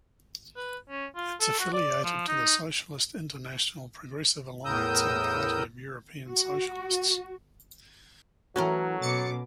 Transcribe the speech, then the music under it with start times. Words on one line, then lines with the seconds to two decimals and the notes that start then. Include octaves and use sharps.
It is affiliated to the Socialist International, Progressive Alliance and Party of European Socialists.
0.56 B4
0.90 C#4
1.16 F4
1.40 A4
1.60 F#4
1.73 D5
2.04 F3
2.27 D#4
4.65 E2 A2 A#4 D#6 E6 G6
6.29 F#4
8.56 E3 F#3 C#4 F#4 A4 A#4
9.02 B2 D6 A6 C#7